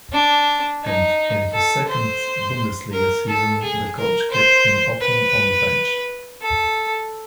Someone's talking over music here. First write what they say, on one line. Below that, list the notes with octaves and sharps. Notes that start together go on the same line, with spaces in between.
And in his second Bundesliga season the coach kept him often on the bench.
D4
D#4
A4
C5
A#4
A4
G#4
A#4
C5
B4
A4